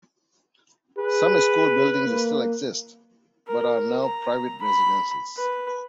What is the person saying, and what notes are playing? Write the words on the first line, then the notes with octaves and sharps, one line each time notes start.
Some school buildings still exist but are now private residences.
G#4 B4
A#3
A#4
A#5
B5
B4